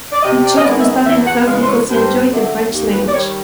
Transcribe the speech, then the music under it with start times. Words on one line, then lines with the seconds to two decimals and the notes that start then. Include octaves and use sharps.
She chose to study in France because she enjoyed the French language.
0.12 D5
0.23 C3 D#5
0.43 D5
0.57 D#5
0.64 D#3 G#3 B3 D5
0.80 E5
0.85 D#5
1.05 E2 E5
1.26 F#5
1.46 C#3 E3 G#3 B3 F5
1.62 C5
1.67 C#5
1.88 G2 C5
2.29 D3 F#3 A3
2.71 D#2
2.92 B4
3.08 D5
3.12 D#3 G3 C#5
3.23 C#5